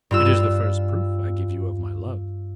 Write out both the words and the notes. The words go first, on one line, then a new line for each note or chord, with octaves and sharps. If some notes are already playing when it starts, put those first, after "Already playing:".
"It is the first proof I give you of my love."
G2 F4 E6